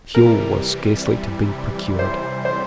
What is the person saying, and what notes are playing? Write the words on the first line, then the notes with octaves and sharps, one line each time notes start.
Fuel was scarcely to be procured.
C3 E3 G3 A#4
C5
C5